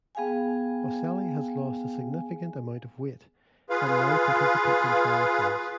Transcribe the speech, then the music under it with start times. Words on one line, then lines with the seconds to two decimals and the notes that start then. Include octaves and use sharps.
Boselli has lost a significant amount of weight and now participates in triathlons.
0.15 B3 G#4 F5 G5 G#5
3.70 F4 G#4 B4 F5